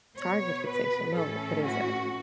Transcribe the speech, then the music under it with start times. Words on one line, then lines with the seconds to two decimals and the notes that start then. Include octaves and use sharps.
Target fixation. No. What is that?
0.18 B2 B3 C#5
0.66 B4
1.15 A2 E3 C#4 A4
1.64 F#4